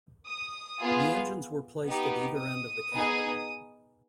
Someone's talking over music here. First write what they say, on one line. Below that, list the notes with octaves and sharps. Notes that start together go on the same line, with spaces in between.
The engines were placed at either end of the cabin.
D#6
B3 F4 G#4
B3 D#4 G4
D#6
B3 D#4 G#4